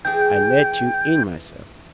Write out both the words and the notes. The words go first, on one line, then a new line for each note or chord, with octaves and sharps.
I let you in myself.
E3 G#4 G5